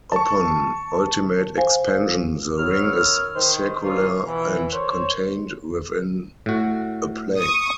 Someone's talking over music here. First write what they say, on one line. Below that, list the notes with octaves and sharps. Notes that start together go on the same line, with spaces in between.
Upon ultimate expansion the ring is circular and contained within a plane.
A5 C#6
C5 F5 G#5
F#2 D#3 B3 C#5 E6 F6
D#3 C5
G2 A#3 C#4 F4
B2 E3
A#4 C5 C#5
A2 F#4
C#6 D#6